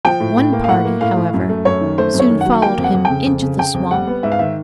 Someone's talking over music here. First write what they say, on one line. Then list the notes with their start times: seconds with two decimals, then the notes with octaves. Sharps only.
One party, however, soon followed him into the swamp.
0.05 F3 G5
0.20 A2
0.37 A2
0.53 A#3
0.64 F5
0.68 A2 F#5
0.85 A#3
1.01 A2 F5
1.17 A2
1.34 F#2
1.49 A3
1.65 F#2 C#5
1.81 D#3
1.98 A3 C5
2.14 F#2
2.19 C#5
2.30 D#3
2.41 F#5
2.46 F#3
2.62 A#3 G5
2.78 F2
2.84 F#5
2.94 F2
3.05 G5
3.10 C#3
3.26 F2
3.42 C#3
3.58 C#3 G5
3.74 F2
3.91 G3 F#5
4.07 B3
4.23 G#2 E5
4.32 F5
4.39 D#3 E5